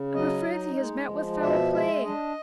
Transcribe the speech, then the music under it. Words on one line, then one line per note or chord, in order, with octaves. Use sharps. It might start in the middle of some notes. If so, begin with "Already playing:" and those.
I'm afraid he has met with foul play.
Already playing: C#3
F#3 D#5
D#4
G#3
F3
B2 E5
G#3 E5
D4 D#5